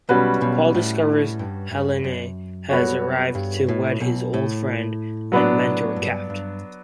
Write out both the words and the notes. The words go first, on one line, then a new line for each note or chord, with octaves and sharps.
Paul discovers Helene has arrived to wed his old friend and mentor Capt.
B1 B2 G3 C#4 F#4 B4
B1 B2
A2
G2
G2
F#2
G3 B3 F#4 A4 C#5
G2
A2
B1 B2
A2
F#3 B3 D4
G2
G2